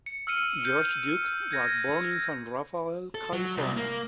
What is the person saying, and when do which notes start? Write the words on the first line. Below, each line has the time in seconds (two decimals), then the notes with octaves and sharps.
George Duke was born in San Rafael, California.
0.06 C#7
0.27 E6 F6 C#7 D#7
0.65 G6
1.51 G6 G#6 A#6
3.15 A4
3.33 F#3
3.57 C2
3.77 A#3